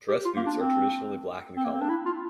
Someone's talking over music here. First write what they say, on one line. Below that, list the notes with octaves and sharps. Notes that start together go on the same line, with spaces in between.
Dress boots are traditionally black in color.
G4
F4
A#3
D4
C4
C4
A#3
C4
D4
E4
F4